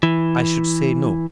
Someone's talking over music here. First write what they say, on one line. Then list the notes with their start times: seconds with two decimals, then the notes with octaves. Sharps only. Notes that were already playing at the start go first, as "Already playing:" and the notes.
"I should say no."
0.03 E3